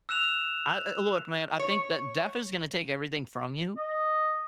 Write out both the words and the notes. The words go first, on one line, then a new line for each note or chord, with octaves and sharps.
I l l look, man, I think that death is gonna take everything from you,
E6 F#6 E7 F7
C#5
D#5